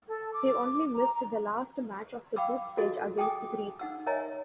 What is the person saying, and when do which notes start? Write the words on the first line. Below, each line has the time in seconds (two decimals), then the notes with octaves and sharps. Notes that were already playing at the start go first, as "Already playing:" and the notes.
He only missed the last match of the group stage against Greece.
0.08 A4
0.33 D6
0.95 A#5
2.36 F5 G5 B5 D6 E6
2.77 F4 F#4 G#4 A4 D#5
3.18 G#4 G5 G#5 D6 D#6
3.79 D#4 F#5 E6
4.06 A#4 C#5 D#5 E5 G#5 A#5